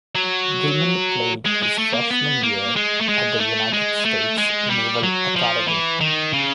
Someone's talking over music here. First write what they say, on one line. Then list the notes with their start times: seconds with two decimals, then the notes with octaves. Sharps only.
Gilman played his freshman year at the United States Naval Academy.
0.15 F#3
1.45 G#3
1.62 G#3
1.78 A3
1.94 A#3
2.11 B3
2.43 A#3
2.76 G#3
3.01 A3
3.09 G#3
3.40 A3
3.73 G#3
4.05 A3
4.38 G#3
4.70 G3
5.03 F#3
5.36 F3
5.68 E3
6.01 D#3
6.33 C#3